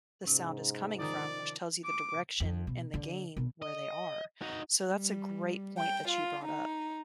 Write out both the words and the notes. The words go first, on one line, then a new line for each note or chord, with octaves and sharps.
the sound is coming from, which tells you the direction in the game where they are. So that's a great point that you brought up.
G#2 C3 C#4
D#3 F3 C5 D5 A#5 D#6
D6
F2
B2
D3
B2
D#5
D#4 F#4
G3
G5
F4
D#4